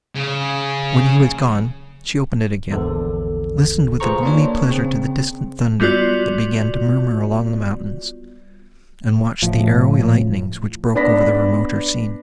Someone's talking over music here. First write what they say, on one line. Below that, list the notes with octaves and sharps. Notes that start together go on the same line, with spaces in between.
When he was gone, she opened it again, listened with a gloomy pleasure to the distant thunder, that began to murmur among the mountains, and watched the arrowy lightnings, which broke over the remoter scene.
C#3
A#1 E2 D3 A4
F4 G#4 B4 C5 A#5 C#6
A#3 D4 C#5
C#3 C4
G3 B3 F4 F#4 D5
A2 F3
B3 D4 D5 B5 A#6 B6